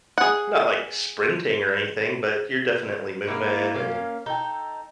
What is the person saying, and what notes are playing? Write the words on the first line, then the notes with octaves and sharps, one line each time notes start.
not like sprinting or anything, but you're definitely moving and
G#4 F#5
A#3 E4 E5 F5
A#3 C#4 F5
D#4 A4 G5